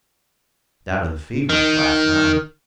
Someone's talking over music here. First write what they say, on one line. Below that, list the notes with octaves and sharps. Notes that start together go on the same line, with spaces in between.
Died of the fever, last night.
D#3